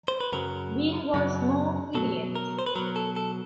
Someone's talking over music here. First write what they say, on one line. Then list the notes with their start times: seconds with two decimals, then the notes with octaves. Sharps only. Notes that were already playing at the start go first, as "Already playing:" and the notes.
Bing was no idiot.
0.08 C5
0.20 B4
0.33 F#2 C#3 F#3 A#4
1.14 F#2 C#3 F#3
1.95 B2 F#3 A4
2.35 A#4
2.59 C5
2.66 B4
2.75 B2 F#3 A#4
2.96 A4
3.16 A4